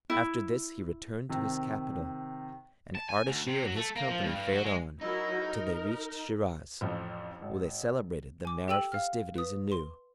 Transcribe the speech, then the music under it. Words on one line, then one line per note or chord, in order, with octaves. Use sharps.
After this he returned to his capital and Ardashir and his company fared on, till they reached Shiraz, where they celebrated the marriage- festivities anew.
E4
C3 D#3
A5
G#5
D2
C3
F#3
A3
A#3
F3
G2
G2
F#3
G#3
F#3 D#4 E4 A#4
A#4
A1 F2
G#1
G#5 D6
G4 A4 G5 E6 D#7 F#7
F5 F6
B4 D#6
C6